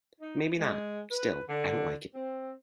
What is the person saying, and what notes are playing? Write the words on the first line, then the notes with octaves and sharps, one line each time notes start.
Maybe not; still I don't like it.
D#4
G#3
B4
D3
C4